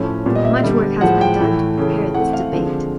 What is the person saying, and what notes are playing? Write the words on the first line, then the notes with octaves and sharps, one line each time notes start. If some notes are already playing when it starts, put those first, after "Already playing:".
Much work has been done to prepare this debate.
Already playing: A2 F3 A3 C#4
A#2 G3 B3
D#5
E5
D3 G3 B3
A2 F3 G#3 F#5
G5
A2 E3 A3
C#3 E3 A3
E3 A3 C4 F#5
F5
D3 F3 G#3 C4